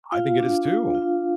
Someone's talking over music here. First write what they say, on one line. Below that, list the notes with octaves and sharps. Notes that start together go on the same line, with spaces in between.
I think it is too.
F4 F5
D4
F4
F4